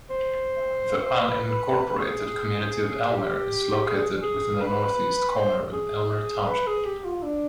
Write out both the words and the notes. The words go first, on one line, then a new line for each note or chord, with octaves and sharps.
The unincorporated community of Elmer is located within the northeast corner of Elmer Township.
C5
B4
G#4
G4
G#4
G#4
G#4
B4
C5
G#4
B4
G#4
G4
F4
D4